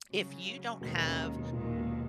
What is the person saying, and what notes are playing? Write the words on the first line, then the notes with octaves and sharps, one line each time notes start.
If you don't have
C#3 F#3 C#4
D#2 B2 D#3 G#3
C#3
B2
D#2 A#2 D#3 G#3
B2